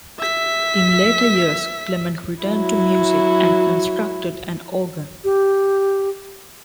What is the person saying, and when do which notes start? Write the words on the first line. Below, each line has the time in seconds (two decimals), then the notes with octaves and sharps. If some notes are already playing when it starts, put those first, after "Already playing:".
In later years, Clement returned to music and constructed an organ.
0.19 E5 B6
2.43 F#3 E4
5.24 G4